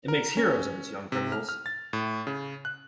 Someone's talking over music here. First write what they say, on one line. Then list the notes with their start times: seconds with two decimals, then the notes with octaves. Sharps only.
It makes heroes of its young criminals.
0.08 A#4
0.37 C#4
1.12 C3
1.32 F6
1.49 F6
1.66 A6
1.93 A2
2.27 C#3
2.65 F#6